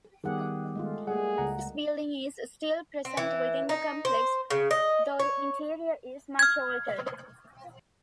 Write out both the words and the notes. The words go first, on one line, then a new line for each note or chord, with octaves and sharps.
This building is still present within the complex, though the interior is much altered.
D#3 G3 B3 G4 G#4 F#5
G#3 A3 F4
G3 A3 A#3 G#4 F#5
C#2 F#5 A#5
C4
E3
D#4
C5
C#3
D#5
C#5
F6 G#6